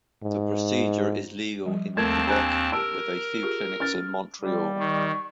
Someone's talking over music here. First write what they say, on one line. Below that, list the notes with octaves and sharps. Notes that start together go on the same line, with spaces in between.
The procedure is legal in Quebec, with a few clinics in Montreal.
G#2
F3 G3
D#2 A3 C4 A#4 A5 G#6
D4 G4 G#5 A#5 F#6
G4 A#4 A5 E6 D7
F4 G4 G#4
C#4 F6 A6
G3
D#3 C#6